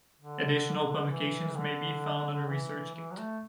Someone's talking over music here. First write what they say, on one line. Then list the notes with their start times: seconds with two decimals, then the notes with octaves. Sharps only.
Additional publications may be found on Research Gate.
0.19 D3
1.11 E3
1.56 D3
2.49 E3
2.95 E3
3.11 F#3
3.18 A3